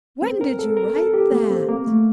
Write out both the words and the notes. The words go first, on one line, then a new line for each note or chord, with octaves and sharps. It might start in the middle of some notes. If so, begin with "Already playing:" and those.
"When did you write that?"
C4
A#4
A4
A#4
A4
G4
A#3
C4
A#3
A3